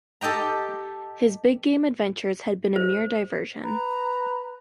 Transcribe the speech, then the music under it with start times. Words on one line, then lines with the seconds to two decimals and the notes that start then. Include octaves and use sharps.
His big-game adventures had been a mere diversion.
0.21 G4 A4 D#5 G5 A#5
2.76 C5
3.64 B4 A#5